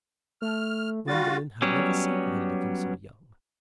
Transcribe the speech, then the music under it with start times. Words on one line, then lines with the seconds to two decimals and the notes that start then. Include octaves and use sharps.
Gwendolen had never seen her looking so young.
0.42 A3 F6
1.07 G3 F4 F#4 A6
1.62 F#3 G3 B3 C#4